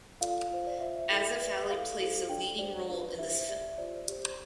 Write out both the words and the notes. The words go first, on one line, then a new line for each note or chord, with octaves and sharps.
Asif Ali plays the leading role in this film.
F4 A4 D5 F5
F4 C5
D5
F4 C5 E5
E5
E4 A4 D5 E5
E4 B4 D5
E4 A4 D5 F5
E4 A4 C5
D4 A4 D5 G5
D4 G4 C5 D5
D4 F4 B4 D5
E4 G4 C5 E5
G4 D5 E5
F4 C5 D5
G4 C5